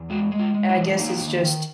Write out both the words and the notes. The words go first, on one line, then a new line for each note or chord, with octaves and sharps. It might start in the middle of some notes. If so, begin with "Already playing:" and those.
I guess it's just
Already playing: E2
G#3 F#4
G#3
F4
G#3
E4
E3
A#3 D#4
D#3
D#3